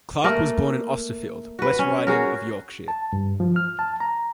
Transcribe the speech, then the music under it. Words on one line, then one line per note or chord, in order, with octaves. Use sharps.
Clarke was born in Austerfield, West Riding of Yorkshire.
A3 A#3 A#4
F#4 B4
C#4
F#4 G#4 A#4
A5
G2
F3
F6
A5
A#5